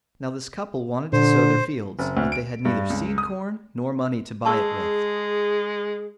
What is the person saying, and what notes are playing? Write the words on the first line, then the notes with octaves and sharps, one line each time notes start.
Now this couple wanted to sow their fields, but they had neither seed-corn nor money to buy it with.
A#2 D3 C5
F#1
D2
D7
G2
C#2
D#6
G#3 G#4 A5 C#6 E6